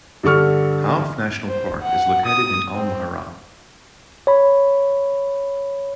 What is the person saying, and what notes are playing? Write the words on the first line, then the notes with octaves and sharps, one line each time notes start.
Hauf National Park is located in Al Mahrah.
G2 D3 A4 C#6 F6
C5
F#5
D#6
C4
C#5 B5